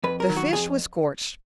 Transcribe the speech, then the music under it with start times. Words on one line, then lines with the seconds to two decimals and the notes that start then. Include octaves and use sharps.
The fish was scorched.
0.04 F2 B4
0.20 A#4
0.29 D#3 F#3
0.37 F#4
0.53 F2 G#4